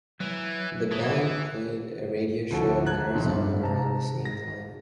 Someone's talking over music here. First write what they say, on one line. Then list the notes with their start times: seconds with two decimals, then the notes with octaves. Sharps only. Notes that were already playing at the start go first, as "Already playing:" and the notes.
The band played a radio show in Arizona around the same time.
0.20 E3 F#3
0.91 E3 G#4 A4 C#5
2.50 D2 F3 E4 F#4 A4
2.85 A5 A#5 F#6 G#6
3.14 A#2 D#3 F3
3.26 G2
3.61 C3 A5 A#5
4.25 A#6